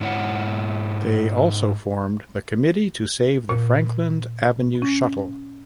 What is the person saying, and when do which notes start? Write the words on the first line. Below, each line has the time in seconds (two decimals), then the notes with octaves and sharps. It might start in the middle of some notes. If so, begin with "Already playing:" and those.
They also formed the Committee to Save the Franklin Avenue Shuttle.
0.01 G#2 E4 C#5 F#5
3.49 A#2
4.82 C#4